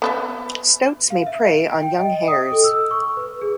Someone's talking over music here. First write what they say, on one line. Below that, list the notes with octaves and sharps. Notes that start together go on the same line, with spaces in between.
Stoats may prey on young hares.
B3 B4 E5
F5
E5
D7
G5
G5
D#5
D#6
A4
E6
C#6
B4
G#4